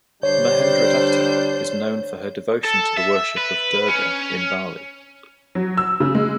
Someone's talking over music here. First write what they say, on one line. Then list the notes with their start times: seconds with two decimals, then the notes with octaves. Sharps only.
Mahendradatta is known for her devotion to the worship of Durga in Bali.
0.23 D3 G3 D4 C5 C#5 G6
2.65 A4
2.98 E5
3.37 B4
3.88 C#4
5.55 F#3
5.77 E6
6.00 C#3
6.15 G#3